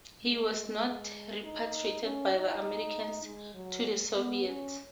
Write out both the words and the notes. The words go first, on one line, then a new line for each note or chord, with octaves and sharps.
He was not repatriated by the Americans to the Soviets.
G#3
D#4
C#4
D#4
G#3
F#3
B3
C#4